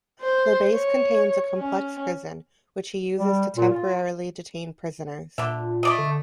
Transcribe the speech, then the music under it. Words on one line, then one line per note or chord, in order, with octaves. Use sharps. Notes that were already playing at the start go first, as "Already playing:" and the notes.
The base contains a complex prison, which he uses to temporarily detain prisoners.
C5
C#5
C#4
G3
A#2
F4
A#2 D3 E5
A3 D5 D#5
D3